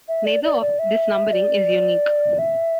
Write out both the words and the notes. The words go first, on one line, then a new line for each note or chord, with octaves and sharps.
Neither of this numbering is unique.
E5
D5
D5
D5
E5
D5
E5